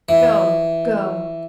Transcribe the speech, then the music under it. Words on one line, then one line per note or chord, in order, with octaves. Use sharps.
Go! go!
E3